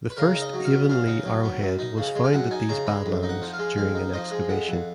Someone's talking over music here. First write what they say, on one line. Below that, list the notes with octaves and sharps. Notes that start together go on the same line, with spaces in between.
The first Avonlea Arrowhead was found at these badlands during an excavation.
B4
C#3 A#4
D#4
D#5
F#3
F5
B3
C#3 F5
D#4
F#3
B3
F#2
D#4
C#3
G#3
F5
F#2 F#5
D#4 G#5
C#3 A#5
G#3 B5
F2
D#4
F#5
F3
F5
G#3
F2 F5
D#4
F3 D#5
G#3
F2 F#5
F2